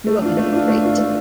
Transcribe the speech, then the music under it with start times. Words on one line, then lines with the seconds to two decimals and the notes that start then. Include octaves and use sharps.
You are going to be great.
0.07 A3
0.22 D4 F4
0.37 A3
0.52 D4 F4
0.68 A3
0.83 D4 F4
0.98 A3